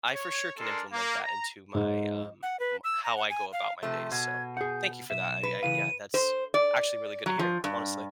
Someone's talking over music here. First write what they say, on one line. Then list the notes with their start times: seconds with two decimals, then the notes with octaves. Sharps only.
I for sure can implement that into my, um, m how I go about my day, so, thank you for that. I mean, I Yeah, that's actually really good to hear, honestly.
0.12 C#5
0.58 G#3 D4 A4 A#4 C6
0.92 A#3
1.24 A#5
1.75 G#2
2.43 F#5
2.60 B4
2.84 E6
3.04 A#5
3.17 F#5
3.30 G#5
3.53 F5
3.83 C3 F3 A3
4.12 B2 G#6
4.57 G#4 F#5 G6
5.10 B1 F#2 E5 E7
5.43 B4
5.63 C#3 E3 F5 D#7
6.14 C5
6.54 D5
7.26 F#3
7.39 F3
7.64 G2